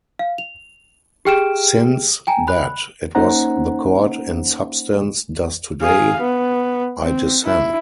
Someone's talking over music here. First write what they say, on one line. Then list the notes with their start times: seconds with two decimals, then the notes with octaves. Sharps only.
Since that is what the Court in substance does today, I dissent.
0.19 F5
0.38 F7
1.25 G4 G#4 G5 F6 D7 E7
2.27 G5 G#5 A#5
2.48 B5 F#6
3.15 A#3 C#4 D#4 C5 F#5 A#5
5.82 G#4 F5
6.21 B3
7.02 C4
7.45 E4